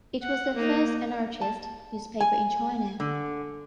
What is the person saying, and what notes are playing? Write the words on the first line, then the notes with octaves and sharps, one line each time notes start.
It was the first anarchist newspaper in China.
F#5
A#3 D#4
A5
G#5
D3